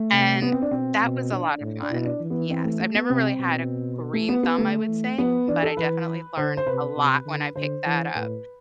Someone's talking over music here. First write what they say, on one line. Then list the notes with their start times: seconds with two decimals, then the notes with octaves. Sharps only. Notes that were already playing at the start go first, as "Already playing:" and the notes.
and that was a lotta fun. Yes, I've never really had a green thumb, I would say, but I definitely learned a lot when I picked that up.
Already playing: A3
0.12 C3
0.42 B3
0.52 C4
0.62 D4
0.71 B2 C4
1.02 B2
1.31 D4
1.61 A2
1.82 D4
1.90 B2 E4
2.05 D4
2.21 E3
2.30 B3
2.50 C4
2.65 A3
2.80 A3
2.95 B3
3.10 C3 C4
3.40 B2
4.13 A3
4.29 B3
4.43 B3
4.58 D3 A3
4.88 E3
5.18 F3 B3
5.48 E3 D4
5.63 A4
5.77 E3 B4
6.37 D3 C5
6.57 C5
6.67 C3 B4
6.96 C3
7.26 D3
7.56 D3 C5
7.86 E3
8.15 A2 B4